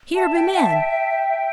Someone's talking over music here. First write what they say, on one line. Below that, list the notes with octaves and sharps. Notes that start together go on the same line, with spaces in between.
Here be men!
E5 A5
G5
A5
G5